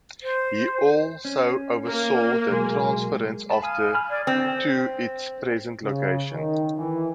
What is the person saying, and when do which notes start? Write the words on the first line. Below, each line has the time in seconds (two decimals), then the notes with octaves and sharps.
He also oversaw the transference of the to its present location.
0.23 C5
1.25 C#4
1.86 A#3
2.50 B1 G#3 G#4
3.50 A5 B5
3.62 F5 G#5 D#6 F6
3.94 B5 F6
4.10 G#4 D5
4.27 C4
5.82 C#3
6.32 D#3
6.77 E3